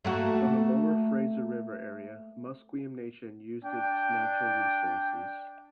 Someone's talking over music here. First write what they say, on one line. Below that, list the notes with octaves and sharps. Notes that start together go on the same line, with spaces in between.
From the lower Fraser River area, Musqueam Nation used its natural resources.
A3 A#3 F#4
D4 G5